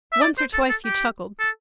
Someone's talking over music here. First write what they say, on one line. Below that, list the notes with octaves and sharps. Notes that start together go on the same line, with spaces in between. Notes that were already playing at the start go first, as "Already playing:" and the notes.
Once or twice he chuckled.
E5
D5
C5
A4
A4
G4
A4